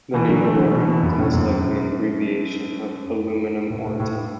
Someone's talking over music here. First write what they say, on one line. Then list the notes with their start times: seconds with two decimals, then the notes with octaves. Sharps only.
The name Alorton is most likely an abbreviation of "aluminum ore town".
0.14 B2 E3
0.29 D3 F#3
0.44 E3 A3
0.58 D3 F#3
0.73 B2 E3
0.88 B2 E3
1.03 F#2 B2
1.18 A2 D3
1.33 F#2 B2
3.70 A2
3.85 A2
4.00 A2